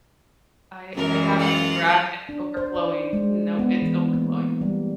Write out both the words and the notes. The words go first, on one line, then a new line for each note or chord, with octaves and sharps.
I I have a shoe rack, it's overflowing. Nope, it's overflowing.
F#2 E3 F#3 G#3 A#4
F4 F#5
D4
C5
D5
G#3
B3
E3
A#3
G3